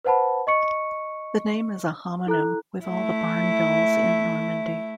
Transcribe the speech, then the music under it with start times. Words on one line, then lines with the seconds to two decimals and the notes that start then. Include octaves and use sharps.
The name is a homonym with all the Barnevilles in Normandy.
0.05 B4 C5 F#5 A5 B5
0.47 D#5 C#6 C#7
2.27 E4 A4 A#5 F#6
2.85 A3 E4